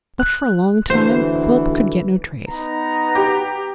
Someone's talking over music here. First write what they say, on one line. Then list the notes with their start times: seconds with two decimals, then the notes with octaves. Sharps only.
But for a long time Quilp could get no trace.
0.20 F#6
0.90 D2 E3 C5
2.48 B3 D#4 A#5
3.15 G4